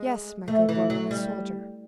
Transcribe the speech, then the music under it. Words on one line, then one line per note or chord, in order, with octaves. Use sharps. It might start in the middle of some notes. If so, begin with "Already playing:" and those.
"Yes, my good woman, a soldier."
Already playing: G#3
A3
E3
F#3
G3